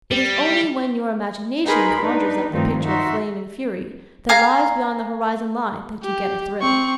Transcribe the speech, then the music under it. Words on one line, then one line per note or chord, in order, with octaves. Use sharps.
It is only when your imagination conjures up the picture of flame and fury that lies beyond the horizon line that you get a thrill.
G3
D#4 G#4 A#4 B4 B5 C6
D4 D#4 B4
G2 D#3 F3 A3 C4 D#4
D#4 F#4 E5 C6
F5 G#5 A#5 F6
G4
C4 C#6